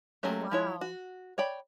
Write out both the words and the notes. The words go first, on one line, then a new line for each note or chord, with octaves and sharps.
Oh, wow.
F#3 A3 A#3 C#4 G4
F3 E4 C#5
F#4
C#5 D5 G5 B5